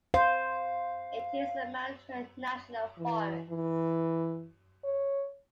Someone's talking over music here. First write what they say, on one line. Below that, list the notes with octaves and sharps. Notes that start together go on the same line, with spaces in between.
It is in the Mount Hood National Forest.
C5 F5
E3
E3
C#5